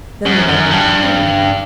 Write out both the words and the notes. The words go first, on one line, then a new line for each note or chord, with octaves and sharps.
"Then you're not making game of me?"
F#2
F#2
G2